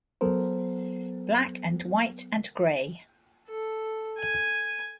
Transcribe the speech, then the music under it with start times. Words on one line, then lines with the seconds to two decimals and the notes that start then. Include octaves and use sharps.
"Black and White and Grey".
0.21 F#3 B3 A4 A#4 C5
3.48 A4
4.18 G#5